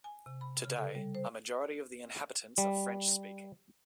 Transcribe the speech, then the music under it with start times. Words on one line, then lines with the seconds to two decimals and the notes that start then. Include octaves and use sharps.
Today, a majority of the inhabitants are French-speaking.
0.04 G#5
0.26 C3
0.41 B5
0.65 C#3
0.78 A4
0.95 G3
1.15 C5
2.58 G3